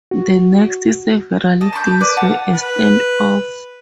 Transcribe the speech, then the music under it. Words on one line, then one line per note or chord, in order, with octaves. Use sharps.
The next several days were a standoff.
F#4
D#5 A5
A5 B5 C#6 G6
B4 D5
F4 F#5 A5
B4